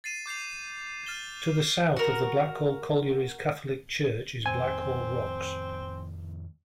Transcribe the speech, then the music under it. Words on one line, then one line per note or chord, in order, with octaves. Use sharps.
To the south of the Blackhall Colliery's Catholic church is Blackhall Rocks.
A6 C7 D#7 E7
D6 G6 C7 F7
F6 A6 E7 G7
F#4 A#4
F2 A2 D#3 C4 G#5